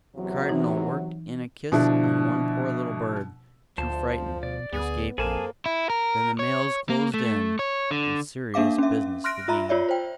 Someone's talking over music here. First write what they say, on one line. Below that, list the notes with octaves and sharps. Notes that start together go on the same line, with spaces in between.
The Cardinal worked in a kiss on one poor little bird, too frightened to escape him; then the males closed in, and serious business began.
E2 C3 F#3
E3 D#4
B2 D3 F3 D4 E4
D2 F3 C5 A5
B2 D5
D2 B3 G#4
A#1 A#3 G#4 A4 C5 G#5 A5
E4
A#4
C#5
A#3
A3
C#5
D3
A#3 D4 E5 F5 D6
C#4 E5
C6 F6 F#6 A#6 D7
F4 E5 A#5 B5
F4 C#5 D5 E5
C5 G5